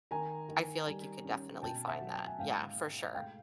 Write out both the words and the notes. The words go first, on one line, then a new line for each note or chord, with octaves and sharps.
I feel like you could definitely find that, yeah, for sure.
D#3 G#5 A#5
D#3
G3
C#4
B2 G5 A5
E5 F#5
F#3
G5
G#5
G#2 F5 G5
G#3
A3 F5 G5